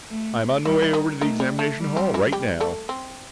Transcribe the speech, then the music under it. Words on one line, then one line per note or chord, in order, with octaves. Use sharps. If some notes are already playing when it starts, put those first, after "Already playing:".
"I'm on my way over to the examination hall right now."
A3
E3 G3 E4
E4
D#3 D#4
D#3 A3 D#4
G3
A3
G3
C4
E3 E4
G3 G4
A3 A4
C4